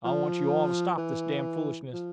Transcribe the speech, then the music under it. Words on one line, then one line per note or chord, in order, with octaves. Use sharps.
I want you all to stop this damned foolishness.
F3
E3
F3